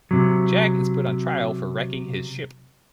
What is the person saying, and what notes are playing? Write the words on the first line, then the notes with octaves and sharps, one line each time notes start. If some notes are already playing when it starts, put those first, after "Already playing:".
Jack is put on trial for wrecking his ship.
C3 F#3